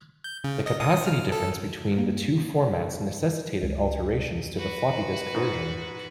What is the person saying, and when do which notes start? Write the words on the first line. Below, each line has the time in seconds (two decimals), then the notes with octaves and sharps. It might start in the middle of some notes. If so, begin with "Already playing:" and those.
The capacity difference between the two formats necessitated alterations to the floppy disk version.
0.24 G6
0.44 C#3
0.66 D#5
0.80 D#6
1.06 F6
1.32 A4
1.98 A#3
3.63 C#2
4.56 F#4 B4
5.34 G#2